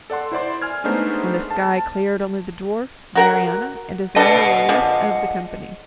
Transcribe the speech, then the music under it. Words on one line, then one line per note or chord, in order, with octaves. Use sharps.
When the sky cleared, only the dwarf, Marianna, and Desire were left of the company.
A4 D5 F#5 C6
E4 C5 D5 C6
G#5 F6 G#6
G#3 A3 B3 D4 D#4 C5
A5
F#4 A#4 F#5
D4 A4 B4 D#5 F#5
F3 G#3 D4